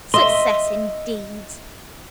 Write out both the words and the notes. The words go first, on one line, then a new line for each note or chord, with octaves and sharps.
Success indeed!
D#5 E5 C6